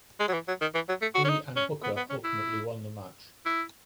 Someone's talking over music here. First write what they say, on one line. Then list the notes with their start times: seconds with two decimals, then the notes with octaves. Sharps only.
He and Booker ultimately won the match.
0.20 G#3
0.28 F#3
0.33 E3
0.48 F#3
0.61 D#3
0.74 E3
0.89 F#3
1.01 A3
1.15 F#4
1.24 C#4
1.29 D#4
1.56 C#4
1.83 B3
1.97 B3
2.10 C#4
2.24 E4
3.46 E4